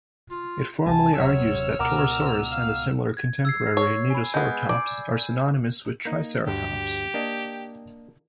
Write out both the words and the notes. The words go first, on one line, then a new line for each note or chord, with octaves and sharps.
It formally argues that "Torosaurus" and the similar contemporary "Nedoceratops" are synonymous with "Triceratops".
F4
C#2 C3 G3 G#5 A5
D#1 C3 F#3 C#5 E6 F6
C#2 B2 A#4 F#5 A#5 D6
F5
G#6
E6 G#6 C7
C#5
G#5 B5
G#3 B3 G#5 G6
D5
A#3 D#4
D2 G2 G4
A#3 D4 D#5